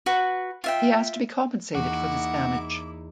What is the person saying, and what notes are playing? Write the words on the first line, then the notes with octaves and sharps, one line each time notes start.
He asked to be compensated for this damage.
F#4 B4
F4 E5 G5
E2 A#3 D#4 E4 F#4 D6 C7 D7